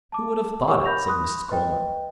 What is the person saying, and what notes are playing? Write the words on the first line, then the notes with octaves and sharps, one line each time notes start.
"Who would have thought it?" said Mrs. Coleman.
A5 D6
G4 A#4 C#5 F#5 C#6 D6
B5 G6 A#6 F7
B5 C6 D#6 F#6
B4 D#5 G5